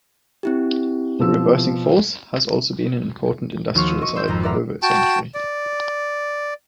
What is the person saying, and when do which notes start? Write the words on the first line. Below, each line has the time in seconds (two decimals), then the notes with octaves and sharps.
The Reversing Falls has also been an important industrial site for over a century.
0.43 C4 E4 G4
1.19 B2 F3 E6
3.75 D#2 F3 F#4 C6 C#6 F6
3.88 D#6 E6
4.01 D#5 C#6
4.15 C6 E6 G6
4.28 G#1 F2 A#5
4.43 D5 E5 F#5 A#5 F6
4.83 F#4 G5 A5
5.34 D5